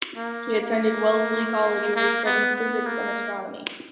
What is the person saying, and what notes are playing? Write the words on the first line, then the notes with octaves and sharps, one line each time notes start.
He attended Wellesley College, where he studied physics and astronomy.
A#3
A#3
A#3
B3
B3
A#3